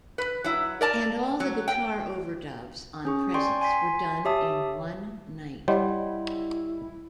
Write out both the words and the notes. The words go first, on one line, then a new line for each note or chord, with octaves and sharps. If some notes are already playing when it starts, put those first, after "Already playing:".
And all the guitar overdubs on "Presence" were done in one night.
B4
F#3 E4
A#4 D5 A5
F#3
G5
C#4 G#4 C#6
D5 G5 G#5 C6 C#6
G#5 C6 B6
G4 C#5 E5 A5 D#6
G3 E4 C#5 D#5 F#5 C6